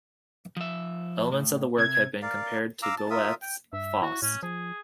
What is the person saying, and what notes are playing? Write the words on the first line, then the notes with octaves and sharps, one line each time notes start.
Elements of the work have been compared to Goethe's "Faust".
F3 E5
A2
C3 G#6
A#4 D5 F5
F5 A#5 D6 E6
A5
F4 A#4 E5 D#6
G5
G2 E5
E4 F#4
A2 C#4
F3 G#4